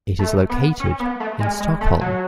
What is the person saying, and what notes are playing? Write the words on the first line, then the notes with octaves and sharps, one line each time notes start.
It is located in Stockholm.
A3
B3
C#4
B3
A3
G#3
G#3
A3
F#3